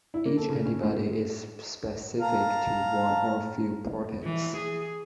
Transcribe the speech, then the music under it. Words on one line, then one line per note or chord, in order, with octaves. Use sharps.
Each antibody is specific to one or a few proteins.
E4
A#3
A4
C#3
C#4
A2
F5 A5 A#5
E3
G#4